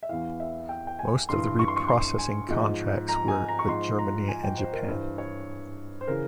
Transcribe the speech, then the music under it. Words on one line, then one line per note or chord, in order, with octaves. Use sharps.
Most of the reprocessing contracts were with Germany and Japan.
E5
E2 E3 F5
E5
G5
G5
G#5
G2 E3 C6
C#6
C6
C#6
C6
G#5
G#2 F3
A#5
G#5
A#5
C#6
G#2 F3 C6
A#5
G#5
G5
C5
A#4
G2 E3 C5
C#5
C5
C#3 E3 A#4